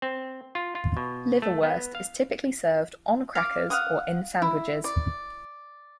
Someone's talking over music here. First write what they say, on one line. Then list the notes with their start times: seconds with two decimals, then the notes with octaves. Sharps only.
Liverwurst is typically served on crackers or in sandwiches.
0.02 C4
0.55 F4
0.75 F4
0.97 B2
1.42 A3
1.63 B3
1.95 F5
3.35 F5 D6
3.70 F5 F#5 D#6
4.42 E4
4.84 D5